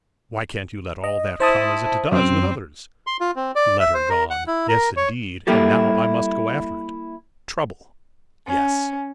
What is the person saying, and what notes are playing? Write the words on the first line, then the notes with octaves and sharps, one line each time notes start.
Why can't you let all that come as it does with others?' 'Letter gone;--yes indeed, and now I must go after it.' 'Trouble!--yes!
D#5
E4 C5 A5 D#6
F#2 C4
C6
F4
C4
D5
E5
C5
A#4
F#5
E4
A#4
C#5
G3 A#3 E4 G4 A4
C#4